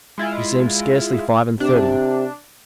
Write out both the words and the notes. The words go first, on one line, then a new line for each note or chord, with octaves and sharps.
He seemed scarcely five and thirty.
G#3 E4 F4
C3 D4